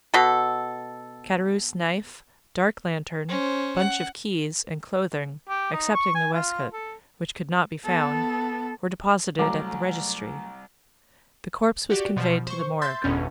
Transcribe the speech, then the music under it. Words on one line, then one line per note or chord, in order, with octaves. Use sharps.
Caderousse's knife, dark lantern, bunch of keys, and clothing, excepting the waistcoat, which could not be found, were deposited at the registry; the corpse was conveyed to the morgue.
B2 A4
C#4 C5
F#5
G4
D#4
C#6
G#5
F4
A4
B3 A4
C2 F#3 A3 A#5 D6
F#4 G4 D5
B2 F3
C5 C#6
E5 C6 G6 A6
G1 E2 B2 C#4